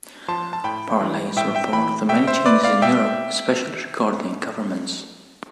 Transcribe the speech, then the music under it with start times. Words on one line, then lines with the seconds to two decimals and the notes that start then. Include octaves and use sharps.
Parleys were part of the many changes in Europe, especially regarding governments.
0.28 F3 A5 C6
0.53 A5
0.64 A2 G5 B5
1.01 E3
1.36 A2 E5 G5
1.55 E5 G5
1.73 E3 G5 B5
2.09 B2 E5 G5
2.27 C5 E5
2.46 B4 D5
2.63 D5 F5
2.82 B2 E5 G5